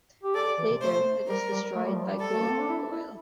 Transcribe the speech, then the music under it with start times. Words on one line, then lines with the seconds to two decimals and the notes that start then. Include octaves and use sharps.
Later, it was destroyed by Goldgoyle.
0.23 G4
0.35 A4 D5
0.58 E3
0.70 C3
0.81 A3 C5
1.28 G3 A#4
1.51 G3
1.75 A3
1.85 G3
1.96 F3
2.07 G3
2.21 A4
2.33 A3
2.41 A#3
2.50 C4
2.59 D4
2.69 E4
2.91 E4